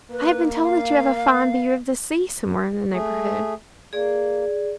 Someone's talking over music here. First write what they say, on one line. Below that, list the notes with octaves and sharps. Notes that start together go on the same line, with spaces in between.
I have been told that you have a fine view of the sea somewhere in the neighbourhood.
A#3 B4
F5
A3 G#4
A#3 G#4 D5